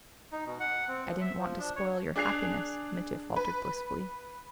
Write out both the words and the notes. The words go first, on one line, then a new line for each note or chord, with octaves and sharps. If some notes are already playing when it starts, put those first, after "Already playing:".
"I didn't want to spoil your happiness!" Mitya faltered blissfully.
D#4
B2
F#5
C4
F3
E5
F3
D4
C#5
D4 G#4 F#6 C7 F7
B4